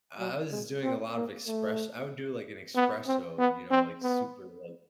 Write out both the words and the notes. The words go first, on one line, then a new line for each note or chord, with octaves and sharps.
I I was doing a lot of express I would do, like, an espresso, you know, like, super, like,
F#3
G#3
C4
A#3
A3
B3
C4
B3
C4
B3